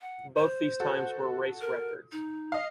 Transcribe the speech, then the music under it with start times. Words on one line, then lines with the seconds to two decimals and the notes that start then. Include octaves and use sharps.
Both these times were race records.
0.02 F#5
0.36 C5
0.80 F#4 A4
1.61 A#4
2.12 D#4
2.52 D#5 F5